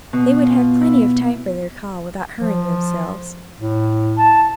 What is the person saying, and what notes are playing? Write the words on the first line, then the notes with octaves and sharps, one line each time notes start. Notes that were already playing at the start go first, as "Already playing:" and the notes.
They would have plenty of time for their call without hurrying themselves.
B2
F4
E4
F3
A2
A5